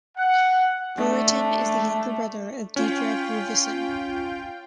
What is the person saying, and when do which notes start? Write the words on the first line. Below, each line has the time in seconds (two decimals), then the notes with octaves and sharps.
Brereton is the younger brother of Deirdre Grusovin.
0.17 F#5
0.96 A3 D4
2.76 C#4 F4 G5